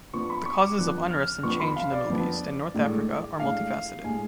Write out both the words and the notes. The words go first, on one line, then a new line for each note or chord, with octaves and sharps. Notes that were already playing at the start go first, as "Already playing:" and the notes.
The causes of unrest and change in the Middle East and North Africa are multifaceted.
F2 F3 B3 D4 C#6
B5
C#6
D6
F2 F3 B3 D4 F#6
F6
F2 F3 B3 D4 C#6
B5
F5
D5
F2 F3 B3 D4
A2 G#3 D4
A2 G#3 D4 F5
A2 G#3 D4 G#5